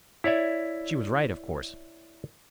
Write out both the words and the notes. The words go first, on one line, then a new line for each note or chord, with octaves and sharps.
She was right, of course.
E4 C#5 D5 E5